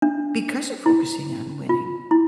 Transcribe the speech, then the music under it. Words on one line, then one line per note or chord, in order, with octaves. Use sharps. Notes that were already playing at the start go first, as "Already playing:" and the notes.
because of focusing on winning
D4
E4
F4
E4